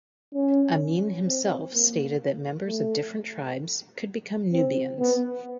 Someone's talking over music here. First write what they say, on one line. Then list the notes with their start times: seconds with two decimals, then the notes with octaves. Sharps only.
Amin himself stated that members of different tribes could become Nubians.
0.34 C#4
1.27 C4
1.74 A#3
2.66 A3
4.52 C4
4.99 B3